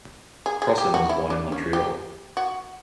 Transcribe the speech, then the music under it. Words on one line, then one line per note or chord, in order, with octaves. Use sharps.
Crossan was born in Montreal.
G#4
G#4
G4
F#4
E4
D4
C#4
G4
F#4